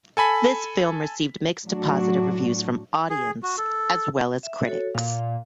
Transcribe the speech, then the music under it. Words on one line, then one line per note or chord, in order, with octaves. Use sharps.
This film received mixed to positive reviews from audience as well as critics.
A4 G#5 B5 B6
A2 F#3 D4 F#4
G#4
F#4
A4
E5
F#4 A4 C#5
A#2 F5